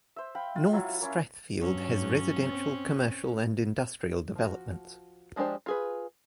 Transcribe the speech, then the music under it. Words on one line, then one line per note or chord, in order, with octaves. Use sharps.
North Strathfield has residential, commercial and industrial developments.
C5 E5
F5 G5 B5
F4
F#3 E4 F4
F5
A#3 C#4 E4
G2 F#3 C#4
C4
F3 F#4
F3 G#3 D4 G4 C5
F4 G#4 B4